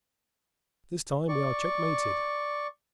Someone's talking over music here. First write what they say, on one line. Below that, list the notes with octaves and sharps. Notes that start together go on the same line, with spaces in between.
"This time we are checkmated."
D5 C#6